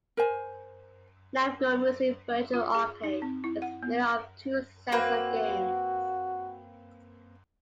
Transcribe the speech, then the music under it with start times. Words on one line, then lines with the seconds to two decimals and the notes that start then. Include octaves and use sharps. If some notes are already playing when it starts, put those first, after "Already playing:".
"Namco Museum Virtual Arcade" is made up of two sets of games.
0.17 A#4 C5 G#5
2.54 F4
2.75 G#4
3.04 D#4
3.22 C4
3.44 E4
3.62 F#5
3.83 B3
4.92 A#3 C4 F#4 B4